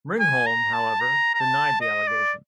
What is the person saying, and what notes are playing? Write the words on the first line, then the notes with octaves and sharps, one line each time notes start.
Ringholm, however, denied the allegations.
G#5
A#5
A5
A#5
A#5
A5
D#5
D5